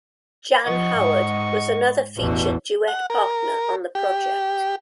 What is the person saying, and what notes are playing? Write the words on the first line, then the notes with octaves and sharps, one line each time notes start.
Jan Howard was another featured duet partner on the project.
F3 D#5 F#5 C#6
G#2
A1 E2 G2 B2
F#5
A#4
G4